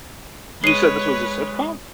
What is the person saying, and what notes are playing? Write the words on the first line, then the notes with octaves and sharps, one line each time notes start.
You said this was a sitcom?
G#3 B4 C#5 C7 D#7